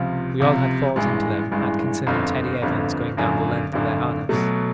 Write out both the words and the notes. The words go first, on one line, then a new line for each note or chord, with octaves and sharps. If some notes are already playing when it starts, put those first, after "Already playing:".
We all had falls into them, Atkinson and Teddy Evans going down the length of their harness.
Already playing: C#2 C3 F3
C#2 C3 F3
A1 G2 E3 G#3
A1 G2 E3 G#3
G1 F2 D3
G1 F2 D3
G#1 F#2 D3
G#1 F#2 D3
B2 F#3 A3